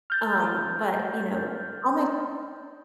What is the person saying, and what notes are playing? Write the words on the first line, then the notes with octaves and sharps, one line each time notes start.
Um, but, you know, all my
F6 G6 A6